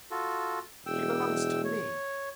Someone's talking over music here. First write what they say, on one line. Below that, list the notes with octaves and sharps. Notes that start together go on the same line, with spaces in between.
She belongs to me.
F4 F#4 A4
E1 G5 E6
C#5